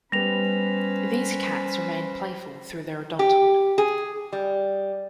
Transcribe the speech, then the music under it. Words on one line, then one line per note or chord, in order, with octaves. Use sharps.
These cats remain playful through their adulthood.
G3 B3 C#4 B4 C5 A#6 F7
G4
G#4
G3